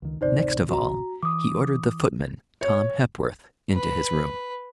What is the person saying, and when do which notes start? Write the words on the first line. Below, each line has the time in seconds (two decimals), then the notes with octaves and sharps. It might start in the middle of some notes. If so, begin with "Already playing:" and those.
Next of all, he ordered the footman, Tom Hepworth, into his room.
0.02 C#2 D#3
0.21 A1 D2 C3 D#4 C5 D5
0.69 F#4 A#5
1.23 E3 D6 D#6
2.61 C#5
3.74 B4